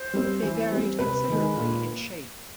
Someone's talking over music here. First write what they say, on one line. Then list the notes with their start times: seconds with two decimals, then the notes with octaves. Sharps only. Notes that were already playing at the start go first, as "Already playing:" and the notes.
They varied considerably in shape.
Already playing: C5
0.13 G3 C4
0.43 E3
0.71 G3 C4
0.99 C3 B4
1.28 D#3 G#3
1.56 A#2